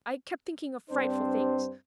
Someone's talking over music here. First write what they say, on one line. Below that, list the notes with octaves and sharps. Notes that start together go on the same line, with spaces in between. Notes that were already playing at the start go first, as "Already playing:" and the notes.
I kept thinking of frightful things.
G2 C4 D4 C5